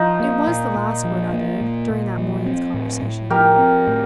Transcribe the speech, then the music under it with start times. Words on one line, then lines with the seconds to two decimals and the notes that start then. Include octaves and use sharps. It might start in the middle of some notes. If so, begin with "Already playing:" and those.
It was the last word uttered during that morning's conversation.
Already playing: F3 D#4 F4
0.20 A#3
0.48 A#2
0.76 A#2
1.04 F3
1.33 A#3
1.61 A#2
1.90 A#2
2.18 F3
2.46 C4
2.74 A2
3.03 A2
3.30 F3 G4 A#4
3.59 C4
3.87 A2